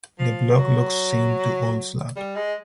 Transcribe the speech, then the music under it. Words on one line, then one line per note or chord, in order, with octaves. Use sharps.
The block looks same to Old Slab.
F3
F#3
G3
G#3